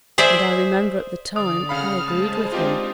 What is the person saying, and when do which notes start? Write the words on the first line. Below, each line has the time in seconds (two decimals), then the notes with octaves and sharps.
And I remember at the time I agreed with him.'
0.18 G#4 C5 D5 E5
1.36 D3 D5 D#6
1.69 C#3 F5 F#5 B5 F6
2.03 G#3 G#4 C5 A5
2.52 C4 D4 D#4 F4 G4